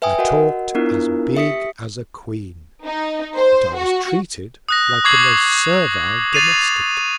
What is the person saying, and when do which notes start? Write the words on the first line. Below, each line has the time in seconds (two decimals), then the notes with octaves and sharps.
I talk'd as big as a Queen; but I was treated like the most servile Domestic.
0.02 B4 E5 G5 G#5 D#6
0.19 F#4 A#4 D#5 F#5
0.75 B3 D4 E4 F4 A#4
1.36 G4 E5 D#6 B6 C#7
2.85 D#4
3.36 C5
3.76 F#4
4.69 D#6 F#6 A#6
5.04 C#6 D6 G#6 C7 F#7
6.33 A6 C7 D#7 F7